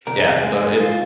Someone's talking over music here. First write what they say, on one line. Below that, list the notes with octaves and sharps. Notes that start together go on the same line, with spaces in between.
Yeah, so it's
C3 A#4
G#4
C3
G#4
G#3
G#3
D#4
G#3 F4